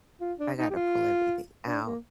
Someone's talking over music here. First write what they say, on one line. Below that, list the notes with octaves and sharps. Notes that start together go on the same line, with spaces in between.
I got to pull everything out.
F4
D4
D#4
G4
F4
D4
A#3